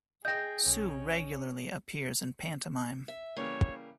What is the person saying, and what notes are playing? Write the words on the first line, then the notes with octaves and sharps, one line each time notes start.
Sue regularly appears in pantomime.
G#4 D#5 G5 G6 A#6
B1 C#4
E5
C#3 E3 G3 A#3 C#5